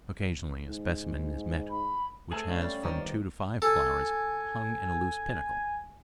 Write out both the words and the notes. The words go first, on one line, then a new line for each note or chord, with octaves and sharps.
Occasionally a specimen is met which has from two to five flowers hung in a loose panicle.
G#2
B5
A3 G#4 C5 A5 E6
C#4 D5 F5
G3
G1 D#3 F3 D6
A4 G#5